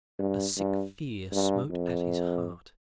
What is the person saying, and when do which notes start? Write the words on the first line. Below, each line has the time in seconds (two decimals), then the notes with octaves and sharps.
A sick fear smote at his heart.
0.19 G2
0.57 G2
1.32 G2
1.70 F2